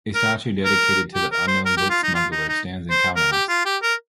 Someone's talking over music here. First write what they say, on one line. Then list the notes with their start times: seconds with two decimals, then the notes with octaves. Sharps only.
A statue dedicated to "The Unknown Book Smuggler" stands in Kaunas.
0.15 A#4
0.65 A#4
1.14 G4
1.32 A#4
1.48 C5
1.66 A#4
1.77 G4
1.90 F4
2.03 D#4
2.15 F4
2.32 D#4
2.49 D#4
2.90 C5
3.16 A#4
3.32 G4
3.49 F4
3.65 G4
3.82 A#4